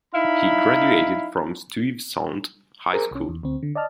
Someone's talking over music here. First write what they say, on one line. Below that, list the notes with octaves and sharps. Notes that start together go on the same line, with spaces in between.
He graduated from Stuyvesant High School.
D#4 E4 F5 B5
G#4 A#4 C5 A#5
C2 C#4
E2
D2 C4
D3
D5 D#5 A5 F6